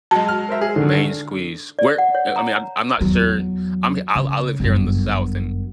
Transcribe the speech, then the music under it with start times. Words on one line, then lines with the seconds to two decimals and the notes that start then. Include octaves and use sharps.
Main squeeze, where I mean, I'm I'm not sure, I'm I I live here in the south and,
0.11 F#3 G#3 A5
0.28 F6
0.49 A#4 C5 E5
0.61 G#4
0.76 D3 D#3
1.79 D5
1.98 F#5
2.15 C#5
2.36 A#5
3.01 E2 F#3
4.15 C#3
4.60 G1 F#2